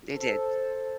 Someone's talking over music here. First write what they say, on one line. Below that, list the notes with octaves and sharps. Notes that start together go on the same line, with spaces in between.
They did.
A4 C5